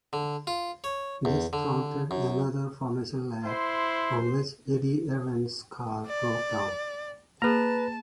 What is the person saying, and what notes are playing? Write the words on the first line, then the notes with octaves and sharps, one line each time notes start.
This prompted another formation lap, on which Eddie Irvine's car broke down.
D3
F4
C#5
E2
D3
F#2
E4 C5 C6
D5
A#3 G#4 B4 A5 A#5